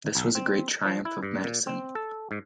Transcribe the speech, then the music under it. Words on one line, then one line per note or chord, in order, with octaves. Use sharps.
This was a great triumph of medicine.
B1
C4
F3
E4
G2
A#2
C4
A4
G#2